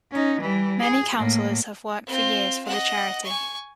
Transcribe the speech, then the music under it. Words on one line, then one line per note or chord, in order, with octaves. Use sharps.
Many counsellors have worked for years for the charity.
C#4 D#4
E3 G3
G#4
A2 A#3
C4 F4
D#5 F#5
G#5 C#6